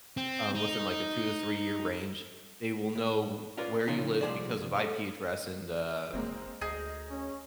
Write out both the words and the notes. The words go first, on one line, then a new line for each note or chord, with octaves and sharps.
um, within, like, a two to three-year range, they will know where you live because of IP address and, uh,
C4
D#4
A2
C#4 F4 A#4 B4 D5
C#3 F3 C#4 D#4
C2 F3 G#4 C5 D5
A4 C#5
F#1 G#3 A#3 C4
D2 G#4 A#4 D#5 G6
C#4